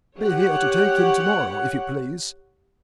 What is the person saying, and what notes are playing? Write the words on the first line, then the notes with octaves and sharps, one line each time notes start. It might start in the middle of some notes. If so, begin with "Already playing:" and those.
Be here to take him to-morrow, if you please.
G4 C#5 F#5